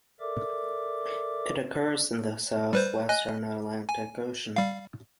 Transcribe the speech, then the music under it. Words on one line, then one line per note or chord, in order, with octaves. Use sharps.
It occurs in the southwestern Atlantic Ocean.
A4 A#4 D5 E5 D6
G3 B4 C5
D#5 G#5 F#6
G#5
G3 F5